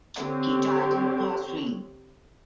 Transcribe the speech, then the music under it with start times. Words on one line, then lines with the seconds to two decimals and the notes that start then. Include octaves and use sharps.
He died in Qazwin.
0.18 D3 C4 G4 C#5